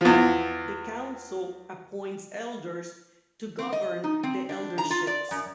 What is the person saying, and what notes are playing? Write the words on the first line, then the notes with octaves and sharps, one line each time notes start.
The council appoints elders to govern the elderships.
E2 F3
C4
D#5
D#4
C4
D4
A#5
F4
D5
F#2